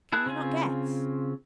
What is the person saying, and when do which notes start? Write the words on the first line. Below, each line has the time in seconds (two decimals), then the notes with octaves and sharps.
Can you not guess?
0.12 E4 G#4 A5 F#6
0.26 C#3 C4 F4 G#5